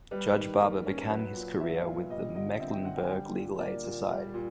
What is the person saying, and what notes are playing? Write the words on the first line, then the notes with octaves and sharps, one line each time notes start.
Judge Barber began his career with the Mecklenburg Legal Aid Society.
G3 B4
D#3
A#3
C#4
F#3 B4
A#2
B3 E5
F5
A#2
G3 D#5
D3 D#5
C4 E5
G5
D3 F#5
G5
G#5
G3 G5
A#2
A#3 D5
A#2
G3
A#2